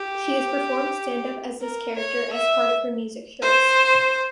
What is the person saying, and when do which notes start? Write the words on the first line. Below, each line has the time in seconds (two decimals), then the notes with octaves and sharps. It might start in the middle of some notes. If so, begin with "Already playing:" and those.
She has performed stand-up as this character as part of her music shows.
Already playing: G4
1.61 A#4
1.97 C#5
2.33 E5
3.42 C5